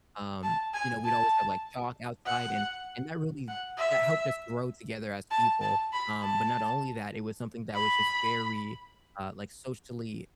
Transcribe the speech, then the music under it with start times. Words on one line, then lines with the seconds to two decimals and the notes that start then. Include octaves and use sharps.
Um, you know, we'd always have like chalk outside and and that really, that helped us grow together as people. Um, but not only that, it was something that was just very, uh, like socially,
0.43 A5
0.74 G#5
1.05 A5
2.26 F#5
3.48 F#5
3.78 E5
5.31 A5
5.61 A5
5.92 B5
6.22 A5
7.75 B5